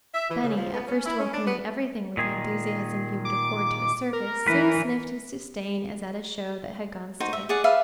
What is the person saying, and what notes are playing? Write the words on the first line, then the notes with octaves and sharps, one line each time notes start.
Benny, at first welcoming everything with the enthusiasm he would accord to a circus, soon sniffed his disdain, as at a show that had gone stale.
E5
E3
C#3
F3
B3
C#4
E4
C#4
D4
B3
A#2 D#3 G#4
D6
A#4
E3 B4
D#4 F#4 C5
E5
G#4 D5 F#5
B4 E5 F5